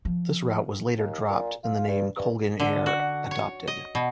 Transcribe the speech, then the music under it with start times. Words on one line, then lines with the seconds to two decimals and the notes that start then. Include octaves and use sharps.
This route was later dropped and the name Colgan Air adopted.
0.05 F3
0.98 D#2
1.30 A#2
1.64 F4
1.88 G2
2.17 G2
2.60 D3
2.86 F#4
3.31 C#5
3.67 D#5
3.95 B2